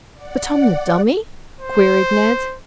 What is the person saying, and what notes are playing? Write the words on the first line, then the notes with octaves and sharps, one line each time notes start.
"But on the dummy!" queried Ned.
D5 F#5
C5